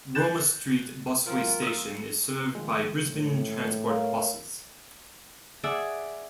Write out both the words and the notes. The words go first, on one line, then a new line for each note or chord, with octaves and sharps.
Roma Street busway station is served by Brisbane Transport buses.
F#6 G6 A6 E7
F3 G3 C4 F4 A#4
D#6 E6
D#3 F3 G#3
A2
A#4 C#5 F5
G#4 D5 E5 F#5